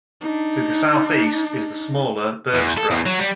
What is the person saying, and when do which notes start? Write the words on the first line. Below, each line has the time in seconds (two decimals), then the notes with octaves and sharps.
To the southeast is the smaller Bergstrand.
0.21 D4 D#4
2.54 E2
2.78 A4
2.91 E2
3.06 F#3
3.19 G3